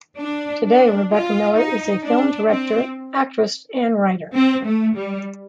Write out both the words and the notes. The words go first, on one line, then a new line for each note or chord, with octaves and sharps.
Today Rebecca Miller is a film director, actress, and writer.
D4
D4
F4
D#4
D4
C4
C4
A3
G3